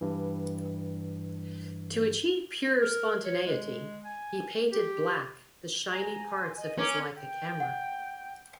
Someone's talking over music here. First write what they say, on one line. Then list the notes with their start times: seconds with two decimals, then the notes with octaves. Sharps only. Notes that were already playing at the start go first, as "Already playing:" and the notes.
To achieve pure spontaneity he painted black the shiny parts of his Leica camera.
0.01 G2 E3
2.81 A#4
3.25 C#5
3.46 G#3
4.05 G#5
4.72 G4
5.92 G#5 A#5
6.38 C6
6.57 D#5
6.78 C#4 A#5 D6
7.21 G5
7.60 F#5